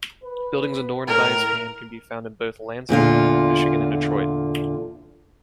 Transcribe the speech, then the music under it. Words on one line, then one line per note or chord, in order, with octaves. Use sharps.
Buildings adorned by his hand can be found in both Lansing, Michigan and Detroit.
B4
A2 A#4
E2 A#2 D3 F4